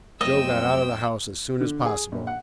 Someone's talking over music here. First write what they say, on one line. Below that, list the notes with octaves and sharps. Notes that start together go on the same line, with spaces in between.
Joe got out of the house as soon as possible.
F2 F#3 A3 C4 D#5 G5 E6
D3
G#4
A#1
F#5